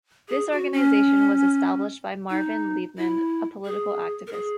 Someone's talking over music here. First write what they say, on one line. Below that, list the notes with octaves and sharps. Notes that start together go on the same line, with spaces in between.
This organization was established by Marvin Liebman, a political activist.
G#4
F#4
C#4
D#4
E4
G#4
A#4
G#4